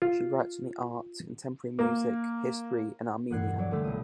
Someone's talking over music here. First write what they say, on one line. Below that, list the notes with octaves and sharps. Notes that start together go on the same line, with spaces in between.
She writes on the arts, contemporary music, history and Armenia.
F4
A#3
E1 G2 F#5 F#6 G#6 C7
F#3 C#5 D5
A#2 D3 F#3 G3 A3
B1 F4 D#6